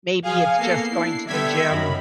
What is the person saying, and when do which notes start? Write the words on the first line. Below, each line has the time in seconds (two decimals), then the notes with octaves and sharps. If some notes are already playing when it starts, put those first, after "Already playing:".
Maybe it's just going to the gym
0.23 F3 G#4 F5 G#5
0.57 A#3 B3 A4 C7
0.89 D4 E4
1.27 D3 G3 B3 E5 G#6 B6
1.68 F#2 D#3 B5